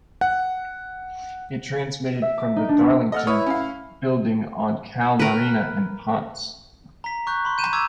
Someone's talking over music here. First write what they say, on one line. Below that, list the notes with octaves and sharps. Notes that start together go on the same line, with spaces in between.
It transmitted from the Darlington building on Calle Marina in Ponce.
F#5
E5
D6
D#4
D4
B3
A4 D#5 F#5 F6
E4 B4 C#5 D#6
C#4 F5
A#4 B4
A#5 B6
C#6 F#6 G6
B5 C6
G6 D#7 E7
A#5 C#6 D6 E6 G#6